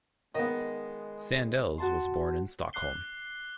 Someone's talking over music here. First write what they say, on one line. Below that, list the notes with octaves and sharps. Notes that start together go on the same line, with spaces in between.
Sandels was born in Stockholm.
D#3 G#3 B3 D#5
F#4 A5 C6
D6 F#6 C7 G7